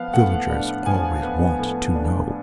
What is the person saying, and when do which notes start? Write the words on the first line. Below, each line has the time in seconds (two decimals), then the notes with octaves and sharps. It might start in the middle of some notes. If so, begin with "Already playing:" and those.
Villagers always want to know.
Already playing: F3 B3 F5
0.14 A2 F#5
0.50 D4
0.86 F3 G#5
1.23 B3
1.59 A2
1.95 D4